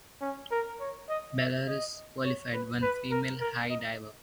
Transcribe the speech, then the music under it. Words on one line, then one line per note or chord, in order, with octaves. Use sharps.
Belarus qualified one female high diver.
C#4
A#4
C#5
D#5
E5
D#5
C#5
B4
B4
A#4
A#4
D#5